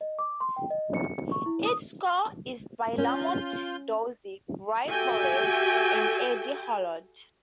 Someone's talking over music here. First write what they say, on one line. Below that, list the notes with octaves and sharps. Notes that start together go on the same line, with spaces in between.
Its score is by Lamont Dozier, Brian Holland and Eddie Holland.
D#5
D6
C6
G5
D#5
C#7
C#6
E4
D#6
C#4 F4 G6
F#4 G4 A4 E5 G5 G#5